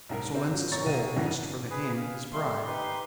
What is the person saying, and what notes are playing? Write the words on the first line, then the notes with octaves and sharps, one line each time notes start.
Salensus Oll reached for the hand of his bride.
B1 G#2 A#4
C4
F#3 F4
A1 C#5 A#5 C#6 A6
C2 B2 D#7
F2 G#2 B2 D3 E3
G#4 B4
F5
G3 A3 C6
D#4 G4 B4 C6